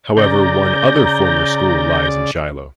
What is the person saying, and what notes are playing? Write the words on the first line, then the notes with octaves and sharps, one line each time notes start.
However one other former school lies in Shiloh.
C#3 D5 A#5 G6